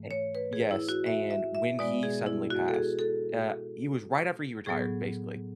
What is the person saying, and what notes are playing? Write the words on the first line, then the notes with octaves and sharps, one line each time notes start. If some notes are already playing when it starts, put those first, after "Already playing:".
E yes, and when he suddenly passed, uh, he was right after he retired, basically,
Already playing: G#2 E3 A3
C#5
B4
G#4
E4
F#4
E5
E5
E5
B2 G#3 B3 D5
G#4
E4
F#4
A4
G#4
A4
A2 F#3 B3 G#4